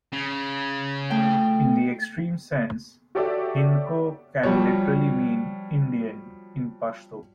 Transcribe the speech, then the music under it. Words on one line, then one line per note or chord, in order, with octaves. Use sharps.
In the extreme sense, Hindko can literally mean "Indian" in Pashto.
C#3
A3 G5
F#4 G4 A4 C#5 D5 E5
F3 G3 F#4 C#5